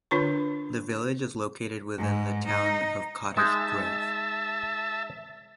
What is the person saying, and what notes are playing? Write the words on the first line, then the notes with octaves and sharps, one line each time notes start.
The village is located within the Town of Cottage Grove.
D3 D4 F4 B4 C#5 C#6
G#2
D#4
G#3 D#4 E5 A5